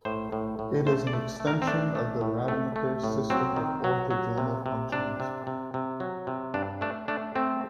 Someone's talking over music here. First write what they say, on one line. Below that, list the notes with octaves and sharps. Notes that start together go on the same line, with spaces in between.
It is an extension of the Rademacher system of orthogonal functions.
A2 C5
A2
A2
A3 C5
D5
A3
A3
A#4
C4
A3 D4
A3
A2
A3
A3
A2
F#3 C4
D#3
F#3
F#3
C3
C3
C3 D4
C3
C3
C3
F#3
C3
G2 D4
A3 D4
A3 D4
A3 C4